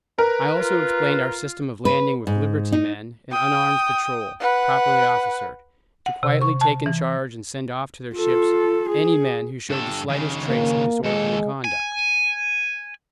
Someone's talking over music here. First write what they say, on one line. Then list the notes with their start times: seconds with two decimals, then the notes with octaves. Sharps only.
I also explained our system of landing with liberty men an unarmed patrol, properly officered, to quietly take in charge and send off to their ships any men who showed the slightest trace of disorderly conduct.
0.18 A#4 B4
0.56 F4
1.85 B4
2.27 G#2
2.72 D#4
3.32 G5 D#6
4.40 B4 F#5
6.06 F#5
6.23 C3
6.41 C#6
6.61 A5
6.86 E3
8.16 F4 A4
8.89 G#4
9.70 G2 A4
10.09 D#2 C#3
10.49 A#3
11.04 D#2 G#3 A4
11.64 G#5